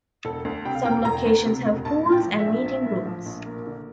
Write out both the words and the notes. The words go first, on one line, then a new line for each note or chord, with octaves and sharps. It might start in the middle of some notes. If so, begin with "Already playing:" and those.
Some locations have pools and meeting rooms.
E1 A4
D2
C3 G5
F5
E1 G5
E1 A#5
D2
C3
E1
A#1 A5
A2
G5
F3
E5
A#1
A#1
A2
F3
A#1
A#3
D3